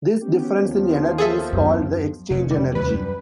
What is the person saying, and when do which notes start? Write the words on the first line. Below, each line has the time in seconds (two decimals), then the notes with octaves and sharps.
This difference in energy is called the exchange energy.
0.21 B3 C#4 G4
0.61 D#2 F3
1.18 G#4 A4 E5
1.53 F#2
2.30 F1 C#3
2.51 G3
2.75 D#2 C3 F#3 B4
2.88 F#2 G3